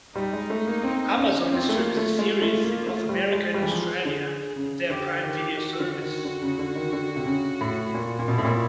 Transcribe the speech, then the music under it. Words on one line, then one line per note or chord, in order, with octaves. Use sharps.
Amazon streams the series in North America and Australia on their Prime Video service.
G3 D#4
G#3
A3
A#3
C4
C#4
C#4
C4 F4
A3
A#3
A3
G#3
A3
A#3
A3
G3
G#3
G3 G#4
E3
F3
D3
C#3
D3 G4
D#3
D#3 F#4
D3
D#3
D3
C#3
D3
D#3
D3
C3
C#3
A2
A#2
A#2
B2 E4
A2
A#2